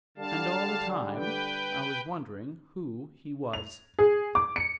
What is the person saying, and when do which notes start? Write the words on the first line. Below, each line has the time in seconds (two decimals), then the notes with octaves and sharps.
And all the time I was wondering who he was.
0.18 D3 G3 F5 A5
1.16 B4 G5
3.53 F7
3.99 G#4
4.35 D6
4.56 C#7